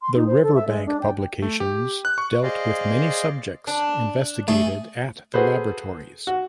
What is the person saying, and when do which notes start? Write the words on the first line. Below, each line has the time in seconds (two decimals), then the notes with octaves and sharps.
The Riverbank Publications dealt with many subjects investigated at the laboratories.
0.02 C6
0.15 D#4
0.27 C5
0.43 A4
0.55 E5
0.68 G#3
0.86 D4
1.01 G5
1.42 A3
1.60 G4
2.05 F#6
2.18 C#6
2.43 G#4 C5 D5 D#5 F5
3.67 D4
4.48 A3 G#4
5.34 F#4 G#4 A4 B4 C5
6.27 F#4